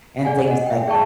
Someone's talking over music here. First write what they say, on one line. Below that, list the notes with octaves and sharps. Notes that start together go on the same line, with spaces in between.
and things like that.
G#4 D5 F#5 G#5
D#5 F#5
E5 G5
G#4 D5 E5 G5 A5 C#6